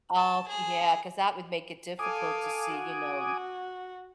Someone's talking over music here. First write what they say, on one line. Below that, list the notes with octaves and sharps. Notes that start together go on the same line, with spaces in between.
Okay, yeah, 'cause that would make it difficult to see, you know,
A5
G#4
A4 F5 G#5 D6 D#6
F#4